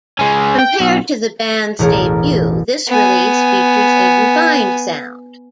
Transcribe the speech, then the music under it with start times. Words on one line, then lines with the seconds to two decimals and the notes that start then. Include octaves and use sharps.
Compared to the bands' debut, this release features a refined sound.
0.19 G#3 C#4
0.59 G5
0.80 B1
1.79 E1 A1 A#4 C#5
2.88 B3 G#5